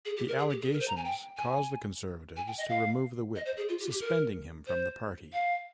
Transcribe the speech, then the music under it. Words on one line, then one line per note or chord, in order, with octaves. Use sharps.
The allegations caused the Conservatives to remove the whip, suspending him from the party.
G#4
G4
A#4
G#4
G4
G#4
A#4
C5
A#5
G#5
G5
G#5
G#5
G5
D#5
F5
D#5
C5
G#4
F4
G4
F4
G4
A#4
C5
F5